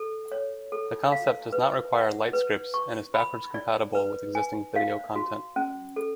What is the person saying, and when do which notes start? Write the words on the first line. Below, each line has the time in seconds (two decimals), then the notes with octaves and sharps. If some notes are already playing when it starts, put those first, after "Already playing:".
The concept does not require light-scripts, and is backwards compatible with existing video content.
Already playing: A4
0.32 C#5
0.72 A4
1.12 F5
1.52 B4
1.93 F#5
2.33 B4
2.74 C#6
3.14 B5
3.54 D5
3.95 B4
4.35 G#5
4.76 F5
5.16 F#4
5.56 C#4
5.96 A4